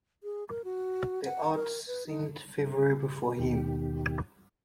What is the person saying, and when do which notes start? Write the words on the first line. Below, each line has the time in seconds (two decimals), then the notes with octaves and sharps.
The odds seemed favourable for him.
0.23 G#4
0.49 A#4
0.64 F#4
1.25 F#5
1.54 A#4
1.87 B4
2.07 D#4
3.39 D#2 B2 D#3 G4